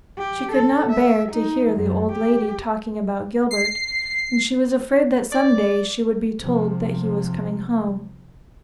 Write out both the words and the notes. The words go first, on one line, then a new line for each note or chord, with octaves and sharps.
She could not bear to hear the old lady talking about Gilbert, and she was afraid that some day she would be told that he was coming home.
G4
A4
E5
D#4
F#2
G4
C7
D5
C3 F3